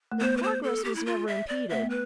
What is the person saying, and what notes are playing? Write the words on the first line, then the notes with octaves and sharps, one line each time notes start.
Their progress was never impeded.
A3
B3 C5
B4
C5
A4
G4
E4
F4
E5
D5
A3 E5
B3
B4